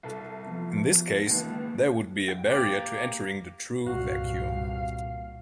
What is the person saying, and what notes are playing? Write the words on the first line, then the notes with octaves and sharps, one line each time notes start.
In this case, there would be a barrier to entering the true vacuum.
C2 A4
F3 B3 F4
C#2 D#3 E3 A#3 A5
G5
A#3 G4 D5
C2 G2 A#2 F#4 F5